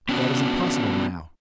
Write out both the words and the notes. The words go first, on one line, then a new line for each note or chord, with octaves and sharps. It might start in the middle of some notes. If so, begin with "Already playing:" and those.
But that is impossible now!
B3 C#4 D4 F#4